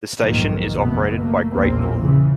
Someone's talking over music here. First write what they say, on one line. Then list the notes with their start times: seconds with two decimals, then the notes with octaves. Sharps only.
The station is operated by Great Northern.
0.22 B1 F2 G#2 D#3 A#3
0.76 F#1 B2 A3 B3
1.20 A3 A#3
1.52 A#1 E2 A2 A#3 C4
2.01 C#3 E3